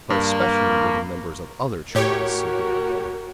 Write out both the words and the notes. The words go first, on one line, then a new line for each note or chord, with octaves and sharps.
But especially were the members of other churches severe upon him.
G2 A#3
A2 F#4 G4 A#4 C#5